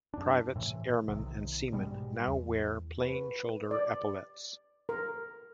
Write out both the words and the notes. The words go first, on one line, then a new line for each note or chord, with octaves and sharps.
Privates, airmen and seamen now wear plain shoulder epaulettes.
F#2 D4
A2 C3 E3
B1 C3 D#3
G#2 B2 G3 G#3
E2
B4
D5
A#4